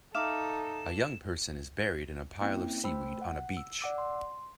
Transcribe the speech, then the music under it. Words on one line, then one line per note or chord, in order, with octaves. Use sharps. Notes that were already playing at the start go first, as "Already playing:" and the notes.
A young person is buried in a pile of seaweed on a beach.
D#4 A4 E5 F5 D6 E7
A#3 C4 C#4 E4 G5
A3 C5 G5 B5 E6
F#5
E6
D5 F#5 D6 E6
C6